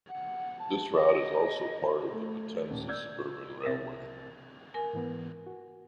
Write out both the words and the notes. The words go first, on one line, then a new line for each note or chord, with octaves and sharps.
This route is also part of the Potenza Suburban Railway.
F#5
A5
D#5
A3
D#1
D5 E6 G6 G#6
C2 C4 E5 A6 A#6
A#4 G#5
G#2 E3 B3
F#4